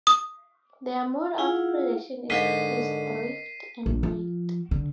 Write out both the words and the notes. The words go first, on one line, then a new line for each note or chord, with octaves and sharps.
Their mode of predation is "drift and wait".
D#6
E4 F4 G#4 F5 F#5
G#2 D3 A#4 D#5 F5 B6 C7 D#7
A#1
F3
D3